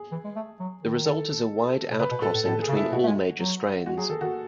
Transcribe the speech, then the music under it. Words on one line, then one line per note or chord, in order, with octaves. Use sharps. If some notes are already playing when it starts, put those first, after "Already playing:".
The result is a wide outcrossing between all major strains.
Already playing: G#4
E3
G#3
A3
F#3
D#3
A4
B2
C#3 B4
B2
A2 A4
A2
A2 A4
G#4
C#3
E4
B2 F#4
A3
G#3
F#3
G#3 F#4
F#3 G#4
D#3 A4
D#3 F#4